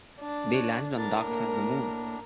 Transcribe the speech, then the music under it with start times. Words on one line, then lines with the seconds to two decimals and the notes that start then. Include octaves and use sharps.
They landed on the dark side of the moon.
0.20 D4
0.54 C#5 F#6
0.97 A2 D4 A#4 A6
1.28 A#3